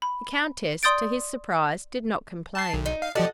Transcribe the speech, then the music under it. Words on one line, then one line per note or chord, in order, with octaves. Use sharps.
The Countess, to his surprise, did not complain.
B5
D5 C6 D#6 G6 A6 D7
A5 C7
B1
D#4
F5
F3 F#4 G4 A4 D5 D#5